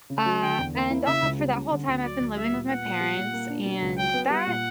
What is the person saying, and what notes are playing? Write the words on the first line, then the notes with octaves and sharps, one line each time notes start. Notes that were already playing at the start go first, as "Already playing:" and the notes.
Uh, and also for that whole time, I've been living with my parents, and that
C#3
F#3
D3 G5
E2
A#3
E4
C#3 E5
C#2
G3
C#4
D3
D2
F#3 D5
D2
G3 E5
A#2
B3 F#5
A#2
G3
A#2
A#3
D4
B2
C#2
F#3 G5
B3
G3 F#5
A#2